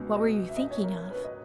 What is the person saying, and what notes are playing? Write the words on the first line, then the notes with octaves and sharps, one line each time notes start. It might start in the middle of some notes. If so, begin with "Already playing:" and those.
"What were you thinking of?"
Already playing: C#2 B2 G#3 B3
D#5
E5
D#5
C#5
A#4
B4
D#5